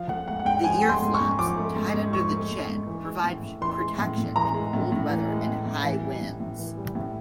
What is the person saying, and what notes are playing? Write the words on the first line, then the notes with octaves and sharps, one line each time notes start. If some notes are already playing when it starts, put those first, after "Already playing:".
The earflaps, tied under the chin, provide protection in cold weather and high winds.
Already playing: F3 F5
A3 F#5
G#2 F#5
F#5
G#2 G5
F3 G#5
A3
C6
G#2
C#6
G#2
F3 D6
A3
G#2
G#2
F3 C#6
A3
G#2
G#2
E3
G#3
A2
A2
E3 C6
G#3
A2
A2
E3 A#5
G#3
A2
A2
E3
G#3
A2
A2
E3
G3
A2
A2
E3
G3
A2